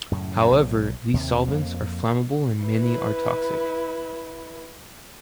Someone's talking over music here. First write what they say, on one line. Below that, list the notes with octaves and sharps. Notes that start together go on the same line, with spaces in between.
However, these solvents are flammable and many are toxic.
F#2 A2 C#3
B1
D#2 C3
F2 A#3
E4 B4